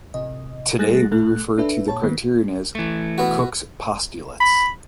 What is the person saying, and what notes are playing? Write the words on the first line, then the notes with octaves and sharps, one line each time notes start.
Today we refer to that criterion as Koch’s postulates.
A1 C3 D#5
G3 A3 G#4 F#6 A6 A#6
A#2 A3 A4 F#6
D4 A4 B4 E5
A#2 C#5 A5
D#3 A#3 B3
E3 A3
B2 B3 F#4
B5